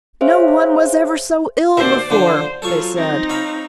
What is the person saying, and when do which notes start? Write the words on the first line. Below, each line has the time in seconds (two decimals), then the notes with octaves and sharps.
"No one was ever so ill before," they said.
0.21 G#4 C5 C#5 E5 F5
1.77 D#2 B2 C5 D5 E5
2.10 D3 F3 D4 C5
2.62 F#3 F4 A4 C5 C#6
2.96 C4 D#4
3.29 C#5 F5 B5